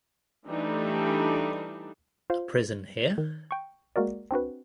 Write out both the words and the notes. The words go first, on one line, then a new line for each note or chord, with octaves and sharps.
A prison here?
E3 G3 A3 D4 D#4
F4 C5 F5
D#3
G5 C#6
G#3 A#3 F#4 A#4 D5
C4 D4 F#4 B4